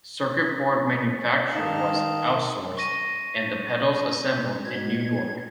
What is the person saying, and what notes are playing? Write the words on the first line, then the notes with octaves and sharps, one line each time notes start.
Circuit board manufacture was outsourced, and the pedals assembled in New York.
D#3 D#4 D#5 F5 A5 A#5
C#6 A#6 D#7
B2 G#6